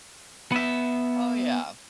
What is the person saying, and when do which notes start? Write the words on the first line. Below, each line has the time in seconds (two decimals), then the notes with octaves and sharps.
Oh, yeah.
0.52 B3 E5